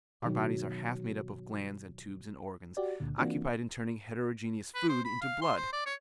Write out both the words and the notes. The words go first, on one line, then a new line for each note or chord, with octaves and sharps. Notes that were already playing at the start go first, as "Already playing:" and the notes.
Our bodies are half made up of glands and tubes and organs, occupied in turning heterogeneous food into blood.
B2 D#3 F#3
F#4 G4 D5
C#2 A#2 D3
E3 A#3 C4 D4 F4 F#4
B4
C5
B5
F5
C6
C5
D5
C#5